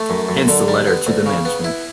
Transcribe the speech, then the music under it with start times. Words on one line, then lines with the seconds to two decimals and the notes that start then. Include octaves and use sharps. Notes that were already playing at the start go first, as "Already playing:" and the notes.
Hence the letter to the management.
Already playing: A3
0.10 F#2
0.29 F#2
0.48 D3
0.68 G3
0.87 B3
1.07 D2
1.26 C#3
1.45 B3
1.64 E4